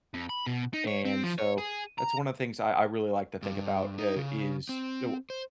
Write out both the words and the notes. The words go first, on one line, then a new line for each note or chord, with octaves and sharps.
And so, that's one of the things I I really like to think about, uh, is the
F2
B5
B2
D#4
C#5
C4
F3
C#5
G#4
A#5
G2
D#4
C#3
C4
C5